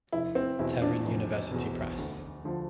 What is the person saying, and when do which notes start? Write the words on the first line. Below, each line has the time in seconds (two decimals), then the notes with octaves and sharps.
Tehran University Press.
0.12 F1 E4
0.35 C4
0.59 E2 B2 E4
0.82 D4
1.05 F1
1.52 E2 B2
1.98 D2
2.45 D3 F3